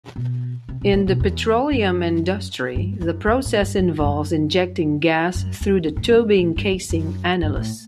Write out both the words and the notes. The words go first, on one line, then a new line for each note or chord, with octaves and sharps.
In the petroleum industry, the process involves injecting gas through the tubing-casing annulus.
B2
C3
B2
A2
B2
E2
F#2
G2
F#2
E2
A2
G2
G2
G2
F#2
F#2
E2
E2
A2
G2
F#2
A2
G2
E2
F#2
G2
A2